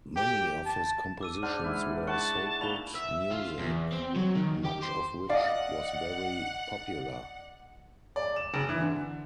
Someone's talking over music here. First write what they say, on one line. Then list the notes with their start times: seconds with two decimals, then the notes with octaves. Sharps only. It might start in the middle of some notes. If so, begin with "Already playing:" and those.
Many of his compositions were sacred music, much of which was very popular.
0.16 G4
0.65 A5
1.21 D6 E6 D#7
1.42 G#2 D4 F#5 F6
1.64 E4
2.07 F#5 A5 C#6
2.61 A#2 B5 F7 G7
2.95 E5
3.31 F4
3.59 E2
3.92 C4
4.16 F#3
4.35 D#3
4.64 G4
4.83 C5
5.29 D5 D#5 F5 F#5
8.16 D5
8.36 E7
8.54 F#1
8.69 E3
8.81 D3